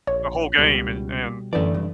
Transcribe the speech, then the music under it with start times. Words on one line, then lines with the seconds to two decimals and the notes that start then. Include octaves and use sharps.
the whole game and and
0.07 A#1 C#5
0.58 C#2 B2 G3
1.53 F#2 D3 E3 A3 D5
1.74 C2 G2